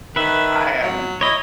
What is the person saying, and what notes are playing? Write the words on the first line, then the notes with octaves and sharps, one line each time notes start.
I am
D#3 B4 E5
F#3
E4 C#5 D#5